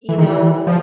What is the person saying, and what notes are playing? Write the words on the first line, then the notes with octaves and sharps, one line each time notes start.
you know,
E3
D#3
E3
F3